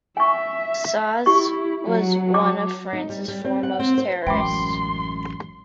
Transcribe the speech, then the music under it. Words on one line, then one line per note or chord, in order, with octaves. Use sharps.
Caze was one of France's foremost terrorists.
E5 G#5 C#6
E4 G4 C#6
F#3
A5 D6
D#4
G3
G3
C4
F#5
C4
C5
A1 F#2 G#3 G5 B5 C6 D6